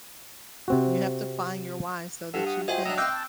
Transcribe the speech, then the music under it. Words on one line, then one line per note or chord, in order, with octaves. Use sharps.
You have to find your "why" so that you can
C3 C4 F#4
G2 A4 F#5 E6
F#5 D#6
F4 F#4 G#4 C5 D#5 E5 G5
F#3 D4 A#5 D#6 E6
C4 D#5 F5 G5 D6 E6 F#6 G6
A5